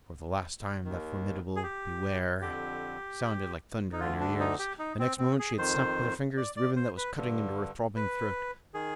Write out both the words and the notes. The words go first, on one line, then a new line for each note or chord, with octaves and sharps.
For the last time that formidable "Beware!" sounded like thunder in her ears; the next moment she had snapped with her fingers the ribbon that was cutting into her throbbing throat.
D#2 D#3
G#4
G4
F2 D3 G4
D#4
D2 D3 F4
D4
D#4
G4
D#4
C4
C4
G#4
F2 D#3 C5
D5
D5
C5
B4
G2 D3
B4
D#3 G#4